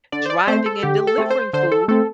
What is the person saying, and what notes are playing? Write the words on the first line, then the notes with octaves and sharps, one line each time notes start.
driving and delivering food
D3 D5
C5
D5
A3 C4 C5
A4
D3 G4
A4
A3 C4
C5
D3 C5
A4
A3 C4 A4